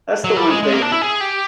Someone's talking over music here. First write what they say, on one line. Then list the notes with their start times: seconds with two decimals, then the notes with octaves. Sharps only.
that's the one thing
0.24 F#3
0.36 G3
0.50 G#3
0.63 G#3
0.73 A#3
0.82 D4
0.92 E4
1.02 G#4
1.21 G4